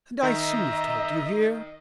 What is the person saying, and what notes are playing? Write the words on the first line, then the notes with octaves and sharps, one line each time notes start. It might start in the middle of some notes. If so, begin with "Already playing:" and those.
And I soothed her, do you hear?
D#3 D#5 E5 A#5